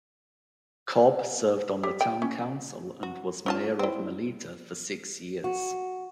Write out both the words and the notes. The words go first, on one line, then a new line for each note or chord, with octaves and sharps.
Cobb served on the town council and was mayor of Melita for six years.
G4
G5
C#4
F#4
C#4 F4 A5
C4 E4
F#4